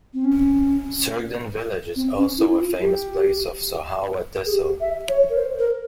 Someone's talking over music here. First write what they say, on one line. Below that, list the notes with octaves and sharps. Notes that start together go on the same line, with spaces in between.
Surgdhan Village is also a famous place of Sohawa Tehsil.
C4
C#4
C4
C#4
E4
F4
G4
G#4
G4
E5
C#5
A#4
C5
A#4